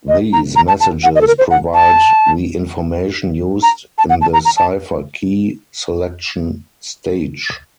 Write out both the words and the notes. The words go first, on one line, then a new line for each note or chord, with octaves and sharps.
These messages provide the information used in the cipher key selection stage.
D#5
A#5
A#5
A5
A5
F#5
D#5
A4
A#4
C5
F#5
A5
A#5
A5
F#5
A5
A#5
A#5
A5